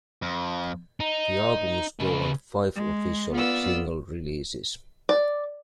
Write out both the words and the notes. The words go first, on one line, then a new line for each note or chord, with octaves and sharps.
The album spawned five official single releases.
F2
D#4
C#3 B4
G#3
B3 F4 D5 E6
D5